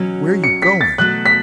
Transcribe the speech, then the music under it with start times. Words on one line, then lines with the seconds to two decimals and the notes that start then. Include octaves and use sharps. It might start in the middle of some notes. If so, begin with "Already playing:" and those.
Where you going?
Already playing: B2 F#3 C#4
0.44 C#7
0.62 B6
0.81 A6
0.98 B2 F#3 A3 F#6
1.26 B6